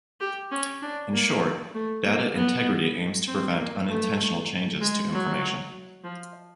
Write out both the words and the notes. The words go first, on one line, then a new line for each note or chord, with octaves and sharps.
In short, data integrity aims to prevent unintentional changes to information.
G4
C#4
D4
A#3
A3
A#3
B3
C4
A#3
A3
G#3
F#3
F3